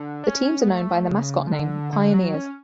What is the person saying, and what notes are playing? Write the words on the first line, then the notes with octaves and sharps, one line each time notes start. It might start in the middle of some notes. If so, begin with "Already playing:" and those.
The teams are known by the mascot name "Pioneers".
Already playing: D3
D4
C#4
B3
A3
C#3
F3
D3
D3
F#3
C#4